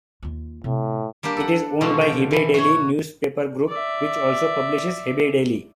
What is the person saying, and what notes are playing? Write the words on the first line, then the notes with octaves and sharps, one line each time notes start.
It is owned by Hebei Daily Newspaper Group, which also publishes "Hebei Daily".
D#2 F4
A2 C3
G3 A#3 D4 G4
A4 F#5
B2 D3 F3 G#3 D4 F#4
G5
E3 B5
F#4 C#5
D5 E5